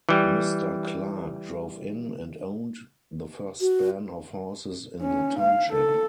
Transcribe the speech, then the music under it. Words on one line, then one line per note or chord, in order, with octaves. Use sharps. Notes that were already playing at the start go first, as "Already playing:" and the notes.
Mr. Clark drove in, and owned, the first span of horses in the township.
E3 G3
F#4
C#4
F5
A4